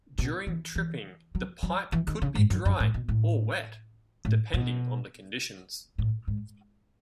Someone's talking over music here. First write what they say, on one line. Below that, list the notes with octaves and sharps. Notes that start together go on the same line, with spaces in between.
During tripping, the pipe could be dry or wet depending on the conditions.
B2
E3
E3
F#3
F#3
E3
D#3
C#3
G#2
F#2
F#2
A2
B2
A2
A2
B2
A2
G#2